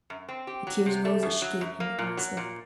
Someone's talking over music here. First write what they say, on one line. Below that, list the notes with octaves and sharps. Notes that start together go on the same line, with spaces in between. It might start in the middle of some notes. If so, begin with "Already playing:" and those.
The tears rose as she gave him the last look.
F#2
C4
G4
F#3
C3
A3
F#2
F#3
F#2
A#3
A#2
F#3
A#2